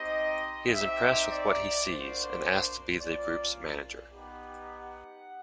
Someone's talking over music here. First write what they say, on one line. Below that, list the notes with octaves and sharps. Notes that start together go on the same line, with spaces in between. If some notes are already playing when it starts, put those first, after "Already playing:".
He is impressed with what he sees and asks to be the group's manager.
Already playing: C4 D#4 G4 D#5
C4 D#4 G4 E5
D5
A#3 D4 F#4 C5
A#3 C#4 F4 D5
B3 D#4 G4
F#5